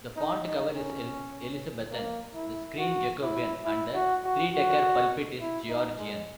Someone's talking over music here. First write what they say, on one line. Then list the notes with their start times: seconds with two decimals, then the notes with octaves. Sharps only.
The font-cover is Elizabethan, the screen Jacobean and the three-decker pulpit is Georgian.
0.16 D#4
0.45 D#4
0.75 C#4
1.91 A#3
2.34 E4
2.78 F#4
3.22 E4
3.65 E4
3.95 F#4
4.24 F#4
4.53 F#4
5.40 E4
5.69 D#4
5.98 G#3